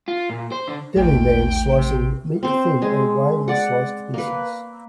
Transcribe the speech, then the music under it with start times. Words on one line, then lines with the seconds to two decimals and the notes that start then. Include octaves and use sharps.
Deli man slicing meat thin and weighing the sliced pieces.
0.08 F4
0.30 A#2
0.52 C5
0.68 D3
0.96 A1 D#2 A3 G5
1.76 C3
2.43 C4 C5
2.82 G#3 G#5
3.48 D5 F#5
4.14 A#3 B4